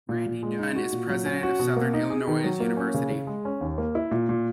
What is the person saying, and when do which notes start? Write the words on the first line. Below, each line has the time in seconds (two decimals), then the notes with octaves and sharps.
Randy Dunn is President of Southern Illinois University.
0.09 A#2
0.26 A#2
0.43 G#3
0.59 D#4
0.76 F#4
0.92 A#2
1.09 F#3
1.26 C#4
1.43 F#4
1.59 B2
1.77 A#3
1.94 D#4
2.10 G#4
2.28 D#3
2.44 F#3
2.60 A#3
2.77 C#4
2.94 C#3
3.10 C#3
3.27 G#3
3.45 C#4
3.61 D#2
3.78 A#3
3.95 E4
4.11 A#2
4.29 A#2